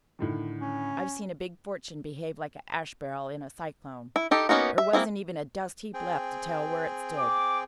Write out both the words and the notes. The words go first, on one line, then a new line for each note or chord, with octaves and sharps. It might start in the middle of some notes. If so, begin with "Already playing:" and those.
I've seen a big fortune behave like an ash-barrel in a cyclone--there wasn't even a dust-heap left to tell where it stood!
A2 D3 D#3
C#4
E4
D#4 G4 A4
A#3 B3 C#4 D#4 F#4
E5
A#3 C4 E4 G#4
C4 G#4 G5
D6